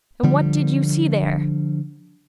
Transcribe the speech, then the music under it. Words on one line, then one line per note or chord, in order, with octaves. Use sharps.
'And what did you see there?'
D3 F3 G3